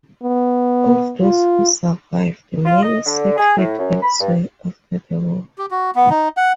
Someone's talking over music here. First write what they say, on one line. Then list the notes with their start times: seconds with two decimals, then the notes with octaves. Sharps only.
Of those who survived, many settled elsewhere after the war.
0.23 B3
1.21 F4
2.65 F4
2.83 D#5
3.06 D3
3.37 G#4
3.57 A2
3.79 F#2
4.02 B5
4.20 G2
5.58 G4
5.71 F#4
5.95 B3
6.10 D#4
6.37 F#5